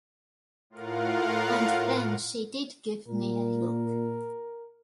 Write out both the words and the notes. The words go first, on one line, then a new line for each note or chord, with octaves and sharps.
And then she did give me a look.
A2 F4 A#4 F5 F#5
A#2 A#4